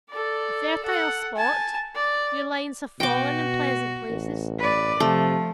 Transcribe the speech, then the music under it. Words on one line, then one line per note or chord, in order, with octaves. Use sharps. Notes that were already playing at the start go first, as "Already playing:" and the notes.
A fertile spot! your lines have fallen in pleasant places!
A4 D5
A4 F#5
G#5 A5
D5
B2 F#4 G5 D6
A1
B4 D5
C3 F3 A3